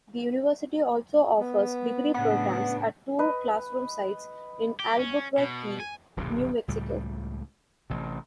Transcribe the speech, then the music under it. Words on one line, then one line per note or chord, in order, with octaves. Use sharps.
The University also offers degree programs at two classroom sites in Albuquerque, New Mexico.
B3
A2 C#3 B3 D4 F#5
B4 D#5
G4
C#4
B2
G#5
D#1 B1 G2 C3
C#2 A2 G3
A1 C3